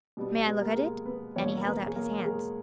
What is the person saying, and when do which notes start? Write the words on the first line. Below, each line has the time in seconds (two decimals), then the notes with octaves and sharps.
"May I look at it?" And he held out his hand.
0.17 B2 G3 B3
0.46 B3 B4
0.61 A#3 A#4
0.76 G#3 G#4
1.06 B3 B4
1.35 E2 B2 A#3 C#4 C#5
1.57 A#4
1.66 B3 B4
1.87 G#4
1.96 A#3 A#4
2.19 A#4
2.25 G#3 G#4